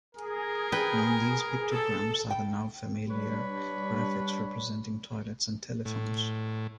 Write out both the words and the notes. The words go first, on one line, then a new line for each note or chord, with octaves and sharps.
Among these pictograms are the now-familiar graphics representing toilets and telephones.
G#4 A#4
B4 G5
A4
G5
G3 D4 B4 C#5 B5
A2